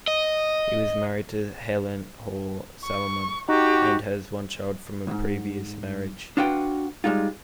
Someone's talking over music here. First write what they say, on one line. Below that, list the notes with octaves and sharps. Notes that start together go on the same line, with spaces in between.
He was married to Helen Hall-Salomon, and has one child from a previous marriage.
D#5
C#6
D#4 F#4 G4
C2 G#2
D4 F4 F#4 B4 G5
G3 G#3 D#4 F4